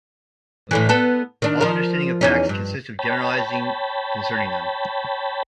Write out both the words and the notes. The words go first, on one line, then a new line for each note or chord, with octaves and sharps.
All understanding of facts consists in generalizing concerning them.
A2 D3 E3
B3 A4
D#3 D4
F3 A#4
E2 C#4 D#4
G2
C#5 G5 A5 B5